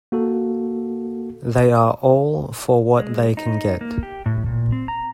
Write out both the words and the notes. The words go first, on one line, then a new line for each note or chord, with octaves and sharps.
They are all for what they can get.
A#3 F#4 A4
G#3
D#4
A#3
G4
A2
A#2
C4
A#5